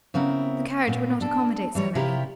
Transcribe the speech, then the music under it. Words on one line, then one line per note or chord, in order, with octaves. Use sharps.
The carriage would not accommodate so many.
C#3 B3 C4 E4 A#4
A#2 B3
D4 A4
E3 G3 C#5
C3 E4 F4 G4 A#4